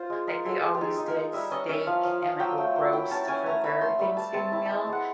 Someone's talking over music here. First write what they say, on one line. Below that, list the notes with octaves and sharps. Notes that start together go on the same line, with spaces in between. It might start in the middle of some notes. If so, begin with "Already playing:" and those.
Like, they always did steak and, like, a roast for their Thanksgiving meal
Already playing: F4 C5
G#3
G#3 A#4
G#3 A4
G#3 A4
G4
D#4 G#4
D#4
A#4
D#4
G3 E5
C#4 D#5
C#4 E5
F3 F5
F3
F3
F#3 G5
A3
F#3
E4 G5
C#4 A5
C#4 G#5
A3 A#5
A3 B5
A3 C6
G3 B5
G3 A5
C4 A5
E4 A5
G#3 A5
G#3
F#5